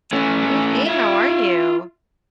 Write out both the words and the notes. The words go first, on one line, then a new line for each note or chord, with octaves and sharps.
All right. Hey, how are you?
A3 C#4
F4 E5